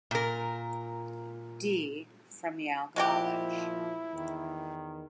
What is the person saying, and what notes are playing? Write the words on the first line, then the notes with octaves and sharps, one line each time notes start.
D. from Yale College.
A#2 A#4
A#2 F3 G#3 E4 F#4 G4
E2 D#3